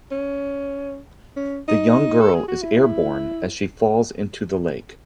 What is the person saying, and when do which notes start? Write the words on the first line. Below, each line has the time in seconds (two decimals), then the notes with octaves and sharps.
The young girl is airborne as she falls into the lake.
0.11 C#4
1.36 C#4
1.68 D#4
2.21 A4
2.35 G#4
2.48 F#4
2.62 E4